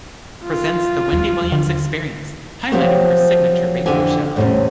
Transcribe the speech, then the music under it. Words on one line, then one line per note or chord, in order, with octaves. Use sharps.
Presents "The Wendy Williams Experience", highlighting her signature radio show.
F4
D#2
D3
F3 F#3 C4 G4 C5 C#5
F2 D3 E3 C4 G4 G#5
E2 A2 C3 G3 C#4